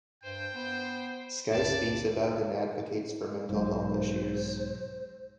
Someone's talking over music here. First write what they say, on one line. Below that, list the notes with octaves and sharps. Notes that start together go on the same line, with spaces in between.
Sky speaks about and advocates for mental health issues.
G2 C5 G5
B3 C5
C#2 G2 D5 A5
B1 G#2 C5